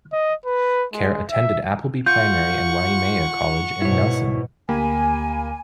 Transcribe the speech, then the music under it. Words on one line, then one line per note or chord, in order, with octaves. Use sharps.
Kerr attended Appleby Primary and Waimea College in Nelson.
D#5
B4
G#3
E5
F4 F#5 C#6 G6
G#2 B2 E4 C#5
D2 A#3 G4 G#5 B5